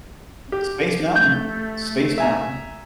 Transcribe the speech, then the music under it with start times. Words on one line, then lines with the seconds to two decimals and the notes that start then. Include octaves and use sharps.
Space Mountain. Space Mountain.
0.52 G4
1.15 A3 G6
2.18 E5 G#5 A#5